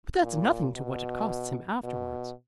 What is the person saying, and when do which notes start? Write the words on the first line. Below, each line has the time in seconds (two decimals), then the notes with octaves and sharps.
But that's nothing to what it costs him afterwards.
0.22 A#2
0.76 B2
1.83 B2